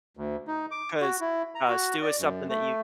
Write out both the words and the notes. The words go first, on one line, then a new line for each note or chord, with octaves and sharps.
'cause, uh, stew is something that you
D2
D#4
D6
F#4
E4
A#5
F#4
D5
F#2
A3